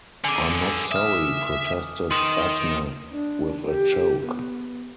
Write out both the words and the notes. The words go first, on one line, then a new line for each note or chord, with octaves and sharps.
"I'm not sorry," protested Esme, with a choke.
D3 G#4 G#5 D6
E5 D#6 F6
D#3 C6 D#6 E7
D4
G4
B3